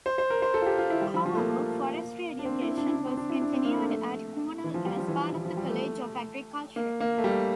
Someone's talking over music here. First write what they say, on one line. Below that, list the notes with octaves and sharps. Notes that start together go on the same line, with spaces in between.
However, forestry education was continued at Cornell as part of the College of Agriculture.
C5
C5
A#4
C5
A4
F4
G4
F4
E4
G3
F3
F3
A3
A#3
D4
C4
E4
D4
E4
D4
C4
D4
E4
D4
C4
A#3
A3
A3
E3
F3
G3
F3
E3
E3
F3
G3
A3
A#3
A#3
A3
G3